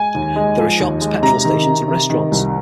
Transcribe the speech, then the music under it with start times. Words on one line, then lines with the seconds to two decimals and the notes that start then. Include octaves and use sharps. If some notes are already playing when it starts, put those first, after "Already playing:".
There are shops, petrol stations and restaurants.
Already playing: G#3 G#5
0.15 D#2
0.36 G#3
0.58 F3
0.80 D#2
1.01 G#3
1.22 C3 A#5
1.45 D#3
1.67 C3
1.88 C3
2.10 D#3
2.32 C2